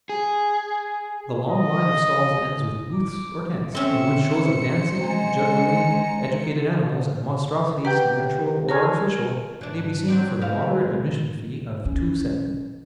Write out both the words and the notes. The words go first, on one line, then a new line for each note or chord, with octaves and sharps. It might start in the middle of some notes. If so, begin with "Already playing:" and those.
The long line of stalls ends with booths, or tents, in which shows of dancing, jugglery, educated animals, and monstrosities, natural or artificial, may be seen for the moderate admission fee of two sen.
G#4
D#5
D6
C4 C#4 C5 E5 C#7
G#3 G#5 A#5
G4 B4 F#5 G5 A#5 G6
G#4 A#4 C#5 A5 A#5 F6
G#2 E3 D4
F#3 C4 D5
D3 G#3 B3 C4 F5
C#4